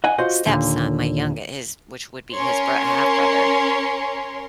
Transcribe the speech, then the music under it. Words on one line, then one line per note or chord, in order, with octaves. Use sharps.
stepson, my younge his which would be his bro half brother,
D#5 F#5 G#5
F4 F#4 C5 D#5
D#2 A#2 D3
C#4 A#4 C#5 C6